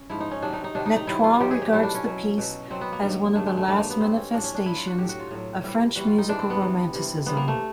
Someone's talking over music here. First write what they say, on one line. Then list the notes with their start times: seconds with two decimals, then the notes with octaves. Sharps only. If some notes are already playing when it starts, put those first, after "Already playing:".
Nectoux regards the piece as one of the last manifestations of French musical Romanticism.
Already playing: C#4
0.10 G#2 F3 E4
0.20 D#4
0.31 C#4
0.42 C3 D#3 F#3 D4
0.53 D#4
0.64 D#4
0.75 C3 D#3 F#3 D4
0.86 D#4
0.97 D#4
1.07 C3 D#3 F#3 E4
1.24 F4
1.40 C3 D#3 F#3 G4
1.51 G#4
1.62 G4
1.73 B2 F#3 E4
1.83 D4
1.95 C#4
2.05 B2 F#3
2.38 B2 F#3
2.70 B2 F#3 C4
2.81 B3
2.92 A#3
3.02 G2 D#3 F#3
3.35 G2 D#3 F#3 A3
3.46 G#3
3.57 A3
3.67 G2 D#3 F#3 A3
3.79 A#3
3.90 B3
4.00 G2 D#3 F#3 C4
4.17 C#4
4.33 A2 F#3 D4
4.44 C#4
4.55 D4
4.66 A2 F#3 E4
4.76 F4
4.87 F#4
4.98 A2 F#3 G4
5.09 F#4
5.20 F4
5.31 A2 F#3
5.63 C3 E3 G3
5.96 C3 E3 G3 F#4
6.07 F4
6.18 D#4
6.28 C3 E3 G3 D4
6.39 C4
6.50 B3
6.60 C3 E3 G3
6.93 C3 E3 G3
7.26 C3 E3 G3 B3
7.37 A#3
7.48 A3